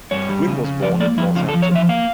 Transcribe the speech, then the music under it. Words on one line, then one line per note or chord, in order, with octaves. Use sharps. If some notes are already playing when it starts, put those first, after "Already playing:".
Quinn was born in Northampton.
G2 C#5
G3
C#3
C#3
F2 D5
A#3 D5
F2 E4
C#3 F4
A4
F3
C#5
F3 E5
A#3 F5